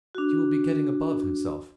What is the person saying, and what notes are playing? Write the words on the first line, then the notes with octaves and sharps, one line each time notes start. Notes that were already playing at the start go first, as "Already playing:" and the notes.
He will be getting above himself.'
D4 F#4